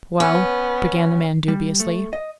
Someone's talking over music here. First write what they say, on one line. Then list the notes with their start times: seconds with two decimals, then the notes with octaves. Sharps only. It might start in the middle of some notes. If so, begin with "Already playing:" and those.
"Well--" began the man dubiously.
0.20 B3 C#4
1.48 G3
1.80 A3
2.13 D#5